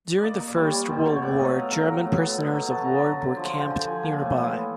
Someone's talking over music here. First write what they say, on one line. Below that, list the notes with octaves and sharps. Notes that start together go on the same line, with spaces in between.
During the first World War German prisoners of war were camped nearby.
A#3 D5 D#5
A#3
D5
G3 C#5
D5
G3
B2 C5
B2 C#5
C#5
A2 D5
A2 D#5
F#3 F5
F#3 A#5
A2
A2
B3
B2
F#3
B3 A5
F#3 A#5
A5
F#3
D3
F3
D3
G5
D3 G#5
F3 G#5
A#3 G#5
A2
E3
B3